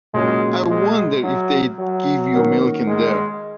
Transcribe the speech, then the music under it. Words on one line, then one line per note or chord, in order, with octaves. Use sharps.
I wonder if they’d give you milk in there?
A#2 F#3 G#3 C#4 G#4
G#3
F#3
F#3
D#3 A#3 C#4 F#4 A#4
G#3